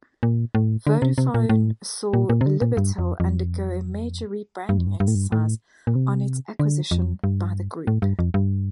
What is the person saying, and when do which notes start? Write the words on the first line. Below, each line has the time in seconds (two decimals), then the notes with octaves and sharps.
Vodafone saw Libertel undergo a major rebranding exercise on its acquisition by the group.
0.23 A#2
0.55 A2
0.87 D3
1.02 C3
1.18 C3
1.34 A#2
1.49 A2
2.13 A#2
2.29 A#2
2.41 C3
2.46 D3
2.62 A#2
2.77 G2
2.99 F2
3.20 F2
4.69 G2
4.78 F2
4.87 G2
5.00 G2
5.08 A2
5.15 G2
5.32 A2
5.87 A#2
5.95 C3
6.59 D3
6.91 F2
7.24 G2
7.87 A2
8.02 G2
8.19 F2
8.34 G2